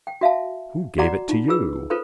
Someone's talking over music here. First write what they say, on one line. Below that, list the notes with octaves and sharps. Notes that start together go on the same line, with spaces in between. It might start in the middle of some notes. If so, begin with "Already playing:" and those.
Who gave it to you?
G5
F#4 E5 F5 A5
F#4 D5 F#5 A#5 D6
D#4 F4
F4 G#4 B4 E6
F4 A4 B4 C5 B5